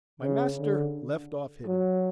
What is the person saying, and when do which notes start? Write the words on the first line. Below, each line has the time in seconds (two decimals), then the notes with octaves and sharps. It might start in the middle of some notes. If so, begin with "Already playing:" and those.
My master left off hitting me.
0.23 C#3
0.59 D3
1.67 F#3